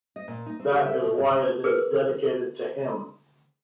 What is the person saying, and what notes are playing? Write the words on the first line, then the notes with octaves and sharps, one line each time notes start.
That is why it is dedicated to him.
D#5
A#2
D#4
C4
G4
E5
B2
G#2
C#3
G#4 A#4 B4